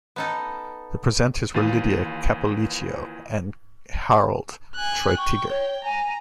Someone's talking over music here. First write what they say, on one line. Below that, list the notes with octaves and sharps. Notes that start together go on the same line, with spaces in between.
The presenters were Lydia Cappolicchio and Harald Treutiger.
B3 D#4 A4
D#2 E3 F4 F5 A6 D#7
G#5 F#6
G5 C#6
C#5
G#5 A#5